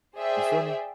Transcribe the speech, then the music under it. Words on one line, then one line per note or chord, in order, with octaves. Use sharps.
You feel me?
G#4 C5 D5 E5 G5